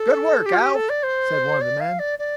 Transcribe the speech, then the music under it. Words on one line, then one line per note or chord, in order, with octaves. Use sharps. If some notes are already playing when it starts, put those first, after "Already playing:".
"Good work, Alf!" said one of the men.
Already playing: A4
G4
F4
G4
A4
D5
C5
D5
F5
D5
D5